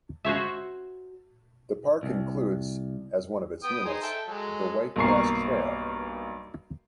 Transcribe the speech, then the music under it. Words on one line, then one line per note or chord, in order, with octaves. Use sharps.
The park includes as one of its units the White Pass Trail.
F#4 C5 C#5 E5
C2
B3 G5 D#6
D#4 G#4 C5
A4 E5 G5
F#3 G#3 A4
B1 G2 A#3 A#5 C#6 C7